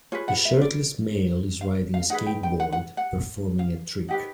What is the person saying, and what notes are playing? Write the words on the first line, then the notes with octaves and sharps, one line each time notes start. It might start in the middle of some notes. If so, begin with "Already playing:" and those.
A shirtless male is riding a skateboard, performing a trick.
F4 G#4 B4 C#5
F#5
E5
D5
F5
F5
D#4 G#4 B4 F#5
G5
G5
F#5
F#5
F#5
F5
D#4 G4 B4 F#5